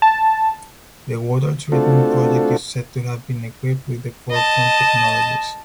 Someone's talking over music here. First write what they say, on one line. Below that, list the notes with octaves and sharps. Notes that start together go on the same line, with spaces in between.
The water treatment project is said to have been equipped with the forefront technologies.
A5
A3 C4 D4 F4 F#4 A4
D#5 A5